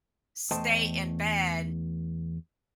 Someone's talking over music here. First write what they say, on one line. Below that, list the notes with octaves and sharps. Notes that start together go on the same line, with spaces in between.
stay in bed,
E2 A3 C5 D#5 G5 A5